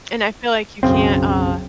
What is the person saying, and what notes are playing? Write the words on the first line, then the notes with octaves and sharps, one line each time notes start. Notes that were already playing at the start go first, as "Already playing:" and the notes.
And I feel like you can't, uh
B1 F#2 C#3 C4